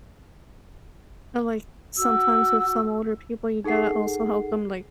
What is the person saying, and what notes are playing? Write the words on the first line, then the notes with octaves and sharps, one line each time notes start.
And, like, sometimes with some older people, you gotta also help them, like,
F#4 E6
D#4 G#4 A4 F#5 C7